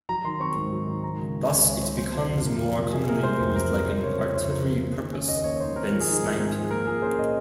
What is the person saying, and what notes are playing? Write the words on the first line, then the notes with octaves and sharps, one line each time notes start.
Thus it becomes more commonly used like an artillery purpose than sniping.
F#3 A#5
D#3 C6
C4 C#6
G#2
F#3
D#3
G#3 A#5
C#3
D#4
C#2 G#5
G#3 C#5
C#3 C5
F#3 C5
C3
F2
F2 A#4
F#3
C3
F#3 G#4
C3 A#4
C4 C5
F2 C5
F#3 A#4
C3 A#4
F3 C5
C#3 C#5
C4 C#5
F2 C5
F3 A#4
C#3 C5
A#3
D#3
C#4
D#2 D#5
A#3 C#5
D#3 C5
C4 A#4
F3
G#4
D#4
G#2 G#4
C4
G#4
F3
A#3 A#4
F3 G#4
C#4 C5
A#2 D#5